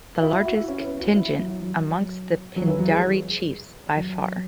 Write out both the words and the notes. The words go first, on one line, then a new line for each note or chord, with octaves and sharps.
The largest contingent amongst the Pindari chiefs, by far.
E4
E4
F#4
E4
C#4
B3
F#4
E4
F#3
F#3
F#3
E3
F#3
G#3
F#3